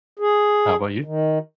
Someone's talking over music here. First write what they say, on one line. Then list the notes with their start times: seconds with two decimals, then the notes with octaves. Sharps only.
How 'bout you?
0.19 G#4
1.04 D#3